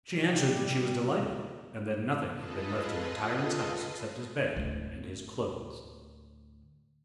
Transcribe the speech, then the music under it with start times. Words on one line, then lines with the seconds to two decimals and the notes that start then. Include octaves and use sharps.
She answered that she was delighted, and that nothing had been left in her tyrant's house except his bed and his clothes.
0.11 C3 G3
2.32 F4 G#4 A4 B4 D#5 A5
4.56 D2 A2